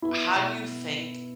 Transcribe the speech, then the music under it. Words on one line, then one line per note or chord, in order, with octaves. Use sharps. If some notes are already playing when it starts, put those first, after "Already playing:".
how do you think
B3 E4
B2